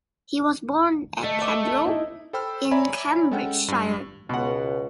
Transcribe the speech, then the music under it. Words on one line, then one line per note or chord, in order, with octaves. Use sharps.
He was born at Tadlow, in Cambridgeshire.
A3 D#5
D#5 D6
D#4 E4
A4 C5 G5 B5 E6 F6
C#5 D5 E5 G#5 A#5 B5
G#3 C#4 A4 F#5 G5
G2
C#2 B2 F#5